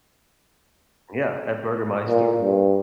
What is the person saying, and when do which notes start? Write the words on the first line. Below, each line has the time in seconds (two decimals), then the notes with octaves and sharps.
yeah, a Bürgermeister.
2.09 A#2
2.40 G2